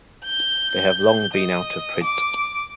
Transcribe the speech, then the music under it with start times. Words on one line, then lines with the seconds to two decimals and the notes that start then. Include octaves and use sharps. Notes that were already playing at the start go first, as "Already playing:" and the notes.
They have long been out of print.
0.24 G6
1.33 D#5
2.03 D6